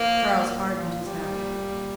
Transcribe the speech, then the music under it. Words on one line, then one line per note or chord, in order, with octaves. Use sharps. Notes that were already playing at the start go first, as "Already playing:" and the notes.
Charles hardened his mouth.
Already playing: F3 A#3
A#2
A#2
F3
F3 G3
A#2
A#2